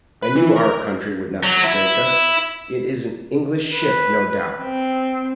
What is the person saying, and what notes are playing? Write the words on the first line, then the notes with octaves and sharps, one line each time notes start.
"I knew our country would not forsake us; it is an English ship, no doubt."
B4
E3
A#4
F#3
E4
B4
C4